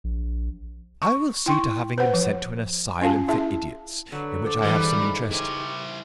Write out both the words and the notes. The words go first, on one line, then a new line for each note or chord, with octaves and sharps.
I will see to having him sent to an asylum for idiots in which I have some interest.
A#1
C#6
E4 G5 C6 C#6
B4 C5 F#5
F3
C#4 F4 F5 A5
E4 G#4 E5 A5
D3 F#3 B4
A4 C5 D5
G#2 D#3 G3 B4
E4 G4 A#4 C5 C#5 G#5